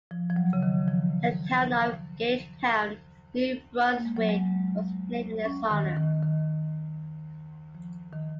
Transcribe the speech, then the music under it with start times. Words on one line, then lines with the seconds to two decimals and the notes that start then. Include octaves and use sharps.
The town of Gagetown, New Brunswick was named in his honour.
0.11 F3
0.30 F3
0.36 F#3
0.53 C#3
0.63 D#3
0.88 F3
3.93 A#3
4.05 G#3
4.17 F#3
4.29 G#3
5.45 C#4
5.71 D#3
5.96 D#3
6.23 D#3
7.75 F3
8.13 D#3